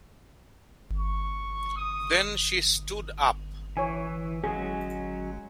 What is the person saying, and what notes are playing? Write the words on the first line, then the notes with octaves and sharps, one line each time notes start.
Then she stood up.
C#6
D#6
E3 C#5 G#5
F#3 G#3 C#4 G#4